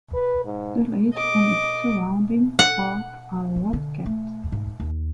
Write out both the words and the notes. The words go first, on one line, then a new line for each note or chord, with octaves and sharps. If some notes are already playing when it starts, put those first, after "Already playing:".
The lake and its surrounding park are well-kept.
B4
G#2
D#5 D6
F#5
B3
D3
A3
G#2
D#2